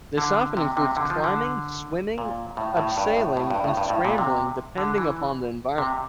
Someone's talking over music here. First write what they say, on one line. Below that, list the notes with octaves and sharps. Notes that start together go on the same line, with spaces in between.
This often includes climbing, swimming, abseiling and scrambling depending upon the environment.
D3
C3
C3
D3
F3
D3
A#2
A2
A2
G2
A2
A2
G2
A2
G2
A2
A#2
C3
D3
E3
C3